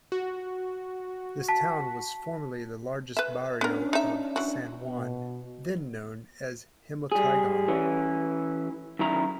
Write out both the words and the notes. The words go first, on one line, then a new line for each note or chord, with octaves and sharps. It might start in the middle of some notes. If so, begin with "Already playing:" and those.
This town was formerly the largest barrio of San Juan, then known as "Himatagon".
F#4
A5 B6
B4 E5
B3 C#4 D4 A#4
D#4 E5
E3 F#4
B2
G3 G#4
E3 C#4
F#2 D#3 E4 A#5